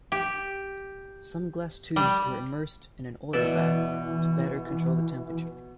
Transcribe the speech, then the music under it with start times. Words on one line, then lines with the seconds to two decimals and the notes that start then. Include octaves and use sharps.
Some glass tubes were immersed in an oil bath to better control the temperature.
0.12 G4
1.96 G3
3.33 B2 E3 D5 E5